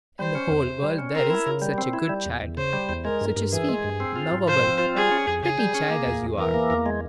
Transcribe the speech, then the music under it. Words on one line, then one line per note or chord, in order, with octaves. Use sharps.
In the whole world there isn't such a good child, such a sweet, lovable, pretty child as you are.
G3 C5
C#4
E2
C3
G3
C#4
C4 A#4
E4
C#3
G3
C4
E4
G3
E2
E2
C#3 C5
G3
E2
G#3 A#4
G2
G2
E3 G#4
G#3
G2
C4
F4
G#2
F3 C5
C4
F4
G3 G#4
C#4
F2
C#3 G#4
G3
C#4
A#3
E2
E2
E3 A#4
A#3
E2
G#3